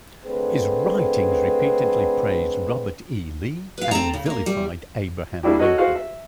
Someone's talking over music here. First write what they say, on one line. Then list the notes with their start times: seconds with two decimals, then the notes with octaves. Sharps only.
His writings repeatedly praised Robert E. Lee and vilified Abraham Lincoln.
0.25 D3 A3 C4 G#4 B4
3.78 B4 F5
3.91 C4 A4 A#5
4.13 C#3
4.26 A#3 A#4
4.46 G3
5.43 G3 A#3 D4 E4 F#4 G4
5.59 F#4 A4 A#4 C#5 D#5 F#5
5.78 F4 F#4 G#4 C5 F5 F#5
5.95 E5